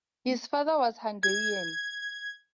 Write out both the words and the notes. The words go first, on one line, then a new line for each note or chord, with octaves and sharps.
His father was Hungarian.
G#6